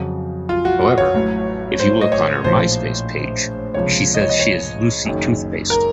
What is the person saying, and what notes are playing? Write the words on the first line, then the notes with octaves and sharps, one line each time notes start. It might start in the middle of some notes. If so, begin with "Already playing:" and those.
However, if you look on her Myspace page she says she is Lucy Toothpaste.
Already playing: F2 C#3 F#3
F4
F#4
F#4
C#5
A1 A2 F#3
C5
D#5
C#5
A#1 A2 F3 C5
C#2 C3 F3 C#5
D#5
C#5
D#5
C#5
F#1 F#2 D#3
A#4